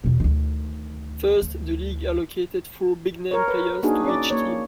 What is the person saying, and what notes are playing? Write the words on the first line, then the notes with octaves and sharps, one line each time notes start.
First, the league allocated four "big name" players to each team.
E2 B2
D2 D#3
D2
A#4 C#5
B4
A#3 D4 D#4 F#4 G#4
C#4 D5
A#3 C#5